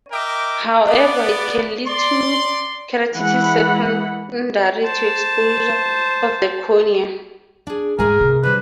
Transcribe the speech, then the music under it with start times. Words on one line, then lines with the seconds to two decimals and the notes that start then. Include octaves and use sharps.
However, it can lead to keratitis secondary to exposure of the cornea.
0.12 A#4 D#5 E5 G5 D6
0.87 B3 D5
1.87 D5 C6
3.14 E3 G#3 F#5 B5
4.84 C5 A5
7.67 D4 G#4
7.99 G#2 A3 G#4 A#4 G#5
8.21 C3
8.43 D3 G3 B4 C5